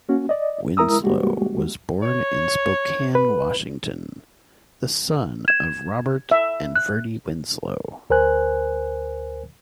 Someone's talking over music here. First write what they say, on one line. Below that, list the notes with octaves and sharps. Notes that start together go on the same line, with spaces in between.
Winslow was born in Spokane, Washington, the son of Robert and Verdie Winslow.
A#3 C#4 F#4
D5 D#5
G#3 E4 A#4 A#5 D#6 E6
G3 G#3 A#3 F#4 G4
C#5
B4
G#6 E7
E5
F#6
D2 A#4 C5 G#5 F#6